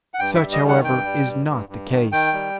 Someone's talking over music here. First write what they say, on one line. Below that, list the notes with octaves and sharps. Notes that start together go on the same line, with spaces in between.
Such, however, is not the case.
F#5
G2 G5
E5
G3
D#5
D#3
F#5
G2 G5
G3
G2
G2
G2
D#3
D#3 G5
G3